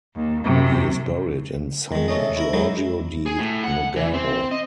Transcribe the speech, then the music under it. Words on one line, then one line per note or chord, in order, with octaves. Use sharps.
He is buried in San Giorgio di Nogaro.
D#2
F#2 C3
D#3 G#3
C3 A3 C#4 D#5
E4 A#4
F#3 G#3 D#4 E4
G#4
A2
F#5
E3
C4
D#5